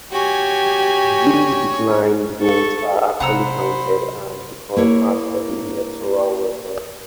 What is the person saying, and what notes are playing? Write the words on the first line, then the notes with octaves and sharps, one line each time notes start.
These declined votes are actually counted and become part of the electoral record.
F#4 G4 C#5 G#5
A4 C#6
C3 F#3 C5 F#5 A#5 B5 E6
A#3 E4 C#5